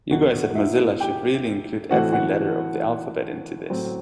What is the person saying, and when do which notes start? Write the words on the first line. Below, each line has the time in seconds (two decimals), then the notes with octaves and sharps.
You guys at Mozilla should really include every letter of the alphabet into this.
0.11 E2 B2 F#3 B3 F#4 F#5
0.55 E4 E5
1.00 G4 G5
1.90 A2 E3 A3 C4 F#4 F#5
2.13 F#4 F#5
3.70 A2 F#3 C4